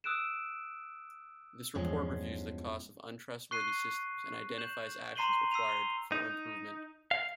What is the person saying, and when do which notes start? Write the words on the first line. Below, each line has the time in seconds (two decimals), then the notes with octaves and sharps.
This report reviews the cost of un-trustworthy systems and identifies actions required for improvement.
0.04 D#6 E6 F#6 D7 E7
1.75 E2 G2 F3 G#3 C#4
3.51 C#6 F#6 C7 D#7
4.58 G6 E7 F#7
5.15 A#5 C6 C7 D#7 F#7 G7
5.52 E6 C7 D#7 F7
5.69 G7
6.12 D#4
7.11 F5